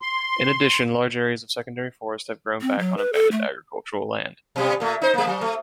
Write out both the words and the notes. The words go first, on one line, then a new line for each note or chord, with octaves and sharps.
In addition, large areas of secondary forest have grown back on abandoned agricultural land.
C6
C4
F#3
B4
A4
A3
B2 G3
A#2 A3
D#4 C5
G3 A#3
F#3
A3